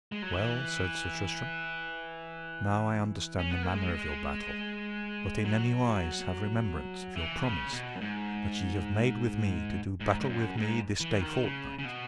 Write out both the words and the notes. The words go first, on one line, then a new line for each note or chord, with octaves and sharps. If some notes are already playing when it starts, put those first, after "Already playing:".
Well, said Sir Tristram, now I understand the manner of your battle, but in any wise have remembrance of your promise that ye have made with me to do battle with me this day fortnight.
G#3
F#3
E3
C#4
B3
A#3
G#3
F#3
E3
C#3
B2
F#2
G#2
G#2
G#2
F#2
G#2
E3
D#3
C#3
C#3
B2